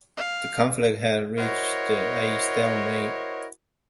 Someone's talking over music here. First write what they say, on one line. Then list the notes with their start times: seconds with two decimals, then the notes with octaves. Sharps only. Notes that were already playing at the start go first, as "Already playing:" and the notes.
The conflict had reached a stalemate.
0.17 F5
1.38 E4 F#4 A#4 C5 C#5 D#5